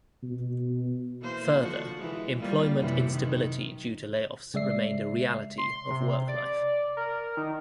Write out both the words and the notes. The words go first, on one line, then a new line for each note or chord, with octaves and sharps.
Further, employment instability due to layoffs remained a reality of work life.
B2
E3 A#3 C5
D3 F3 F#4
E3 G#3
G3 A#3 F4
F#2 C3 E3
D#3
C#3 G#3 D5 E5 C7
C6
C3
D5
A#4
D#3